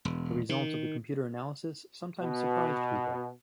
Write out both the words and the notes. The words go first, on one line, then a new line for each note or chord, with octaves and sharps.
The results of the computer analysis sometimes surprised people.
E1
D#3
B2